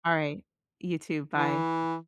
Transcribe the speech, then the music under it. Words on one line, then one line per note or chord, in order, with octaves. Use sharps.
Alright, you too, bye.
E3